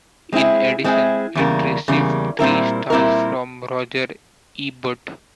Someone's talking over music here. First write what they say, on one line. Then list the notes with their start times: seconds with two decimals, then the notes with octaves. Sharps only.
In addition, it received three stars from Roger Ebert.
0.32 G#3 C4 E4 G#4
0.84 G#3 C4 E4 G#4
1.35 E2 C#3 G3 A#3
1.88 E2 C#3 G3 A#3
2.39 A#2 G3 C4 E4 A#4
2.90 A#2 G3 C4 E4 A#4